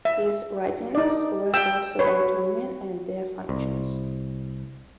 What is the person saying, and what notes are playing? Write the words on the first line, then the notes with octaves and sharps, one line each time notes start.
His writings were also about women and their functions.
E5
D#4 D5
G5 E6
B4 C#5
C2